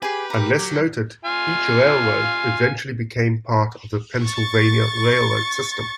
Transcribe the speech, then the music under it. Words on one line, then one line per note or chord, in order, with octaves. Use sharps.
Unless noted, each railroad eventually became part of the Pennsylvania Railroad system.
G4 G#4 B4 G#5
A#4 A#5
F#3
F4 F5 G#5
C#6 A6